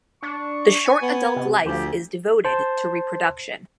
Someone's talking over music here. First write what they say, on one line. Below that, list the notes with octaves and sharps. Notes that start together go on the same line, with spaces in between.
The short adult life is devoted to reproduction.
D4 C#6
G#5
B3
C3
D2 F3 G4
C5 A5